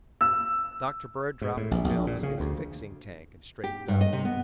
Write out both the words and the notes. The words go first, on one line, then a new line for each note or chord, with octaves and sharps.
Dr. Bird dropped the films in a fixing tank and straightened up.
E6
G#2
A2
A#1
A#1
A#2
C#3
D2
G4
G2
D#5
C3
B3